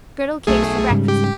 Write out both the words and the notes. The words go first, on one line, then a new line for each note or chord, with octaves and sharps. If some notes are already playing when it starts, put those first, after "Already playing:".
Gridel cakes for brekfast.
B1 A3 G#4
G#2 C#3 G3
G4